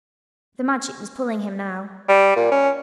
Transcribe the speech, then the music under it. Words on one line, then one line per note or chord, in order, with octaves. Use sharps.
The Magic was pulling him now.
G3
A#2
C#4